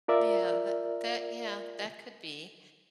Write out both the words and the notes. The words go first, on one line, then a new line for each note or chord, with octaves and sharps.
Yeah, that that, yeah, that could be.
F4 A#4 D5 E5